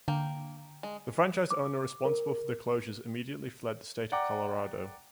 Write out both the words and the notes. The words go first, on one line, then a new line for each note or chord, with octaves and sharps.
The franchise owner responsible for the closures immediately fled the state of Colorado.
D3 A#3 G5
G#3
D6
A#4
D5 F#5 G5 A#5 D6